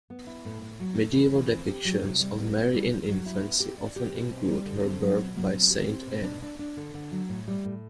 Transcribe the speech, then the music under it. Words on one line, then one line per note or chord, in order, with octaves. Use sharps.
Medieval depictions of Mary in infancy often include her birth by Saint Anne.
B3
E4
A2
A2
F#3
A3
E3
E3
C4
G4
F#3
C3
G3
B3
B3
G3
G3
F#3
E4
B3
G4
D5
G4
B2
C4
G3
D3
C4
F#3
B2
F#3
C4
G4
C4
B2
D4
D4
D4
D3
D3
F#3
A2
G3
A2